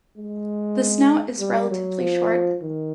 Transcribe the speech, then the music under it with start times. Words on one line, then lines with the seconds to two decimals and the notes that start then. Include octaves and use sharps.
The snout is relatively short.
0.17 G#3
1.39 G3
1.71 F#3
2.01 F3
2.62 D#3